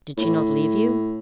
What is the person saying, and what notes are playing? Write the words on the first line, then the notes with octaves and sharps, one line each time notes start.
"Did she not leave you?"
A2